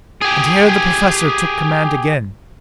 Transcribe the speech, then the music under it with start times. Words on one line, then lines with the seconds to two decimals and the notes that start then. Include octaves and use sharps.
And here the Professor took command again.
0.22 G4 G#4